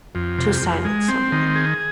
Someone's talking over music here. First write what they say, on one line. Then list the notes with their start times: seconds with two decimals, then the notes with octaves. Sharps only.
To silence someone.
0.15 F2
0.38 C3
0.62 F2
0.85 G#3
1.08 C4
1.32 D#3
1.55 G#4